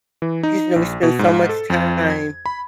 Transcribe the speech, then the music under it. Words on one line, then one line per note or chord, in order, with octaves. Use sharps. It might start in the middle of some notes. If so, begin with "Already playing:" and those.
'cause, you know we spend so much time
E3
D#4
A#1
B2
G#2
A4
F2
G#6
B5